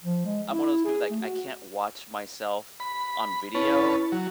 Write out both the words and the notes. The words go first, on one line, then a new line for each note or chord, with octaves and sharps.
I'm one of those people that, like, I can't watch myself on video,
F3
G#3
E4
G#4
A3
F#4
B5
C#4 E4 B4 A5
F#3